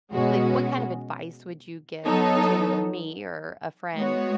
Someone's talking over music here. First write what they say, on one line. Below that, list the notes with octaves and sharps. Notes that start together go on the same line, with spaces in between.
like, what kind of advice would you give to me or a friend
B2 G#3 C#4 F#4
F#3 B3 D#4 A4 C#5
G#3 B3 F#4 C#5